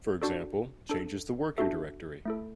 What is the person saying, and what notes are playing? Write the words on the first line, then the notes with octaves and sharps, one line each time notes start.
For example, changes the working directory.
D4 F#4 A4 D5
D4 A4
D4 F#4 A4 E5
A3 E4 A4